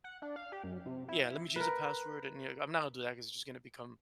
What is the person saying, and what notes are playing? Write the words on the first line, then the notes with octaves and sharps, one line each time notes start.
yeah, "Let me change the password," and, you know, I'm not gonna do that because it's just gonna become
F#5
D4
F5
G4
F#2
C3
E4
A#4 B4